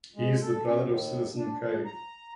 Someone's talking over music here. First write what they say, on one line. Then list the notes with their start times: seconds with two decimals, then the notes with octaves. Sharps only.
He is the brother of Citizen Kay.
0.16 G#3
0.42 A4
0.65 C#4
0.81 D#2
1.36 D4
1.59 F3
1.85 A#5